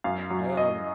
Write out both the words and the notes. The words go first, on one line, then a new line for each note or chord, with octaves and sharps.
I, um
F#2 F5
F#3
F#2 D#5